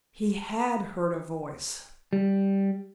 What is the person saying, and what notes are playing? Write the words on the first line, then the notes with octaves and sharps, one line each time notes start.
He had heard a voice.
G3